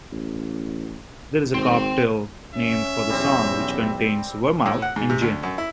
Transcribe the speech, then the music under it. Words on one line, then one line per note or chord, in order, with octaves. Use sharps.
There is a cocktail named for the song, which contains vermouth and gin.
A1
G#1 C4 C5
C#4 E5
B1 E2 G3 C4
A2
F#5
G#2
C3
D2
F#2
E4